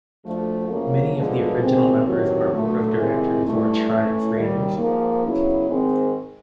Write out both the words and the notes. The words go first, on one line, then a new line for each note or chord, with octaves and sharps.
Many of the original members of our Board of Directors were "Triumph" readers.
D2 D3 F3 A3
F#2 C#3 F3 A#3
G2 D3 F3 G#3 B3
C3 D#3 G#3 C4
E2 C3 D#3 F#3
D3 F#3 A3
C3 D#3 G#3 C4 E4
G2 E3 A3 D4
A2 E3 A3 C#4
D#2 D#3 G3
G#2 F3 A#3
F#2 C#3 F#3 B3 E4
G#2 D#3 G#3 C4